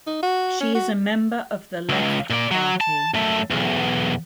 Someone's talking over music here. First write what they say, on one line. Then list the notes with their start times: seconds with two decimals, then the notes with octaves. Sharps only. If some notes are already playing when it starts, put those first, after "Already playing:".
She is a member of the Left Party.
0.07 D#4
0.22 F#4
0.60 C#4
0.75 F#4
1.89 C#2
2.30 A#2 D5
2.51 F#3
2.81 A5
3.14 F#2 A3
3.50 B1 E2